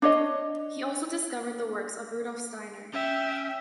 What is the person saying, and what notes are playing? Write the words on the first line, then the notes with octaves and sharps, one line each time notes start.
He also discovered the works of Rudolf Steiner.
D4 C#5 D#5
C#4 E5 G5